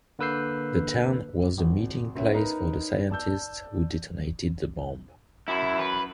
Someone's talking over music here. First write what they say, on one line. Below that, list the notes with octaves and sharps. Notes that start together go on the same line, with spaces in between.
The town was the meeting place for the scientists who detonated the bomb.
D3 A#3 B4 E6 G6 C7
G#1
C#2 C#4 E5
D#4 A#4 B4 A#5
D5 A5 E6 G6
F#2 E4
B4